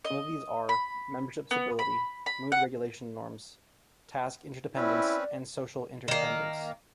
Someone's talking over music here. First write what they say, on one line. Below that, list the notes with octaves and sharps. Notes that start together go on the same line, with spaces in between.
Some of these are: membership stability, mood-regulation norms, task interdependence and social interdependence.
D#5
B5
B3
B5
B5
F#5
C4 C#4 E4 B4 D5
D#3 A#3